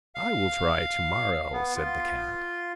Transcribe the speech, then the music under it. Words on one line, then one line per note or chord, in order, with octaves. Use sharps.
"I will try to-morrow," said the cat.
F5
B3
F4